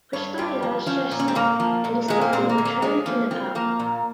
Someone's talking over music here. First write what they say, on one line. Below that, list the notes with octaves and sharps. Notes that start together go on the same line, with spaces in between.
Pushpa Lal Shrestha and his party returned to Nepal.
G2 C#5
G2 G4
F3
F3 C#4
A#2
C#4
C4
A#2 A#3
F3
A#2
A#2 G#3
A#3
A#2 C4
A#3
A#2
A#3
F3 G#3
F3 A#3
F3 C4
F3 A#3
A#2